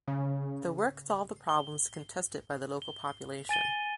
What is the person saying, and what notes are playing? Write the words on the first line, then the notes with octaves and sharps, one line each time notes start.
The work solved the problems contested by the local population.
C#3
G7
G7
G#5 A6 D#7 G7